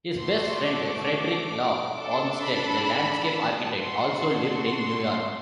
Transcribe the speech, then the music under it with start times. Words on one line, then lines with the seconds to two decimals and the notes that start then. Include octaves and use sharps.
His best friend, Frederick Law Olmsted, the landscape architect, also lived in New York.
0.17 A3 D4 F#4 A4 C6
0.63 D6
1.97 D4 A4
2.42 B5
3.32 A5
3.76 D4 F#4 A4 C6
4.66 C6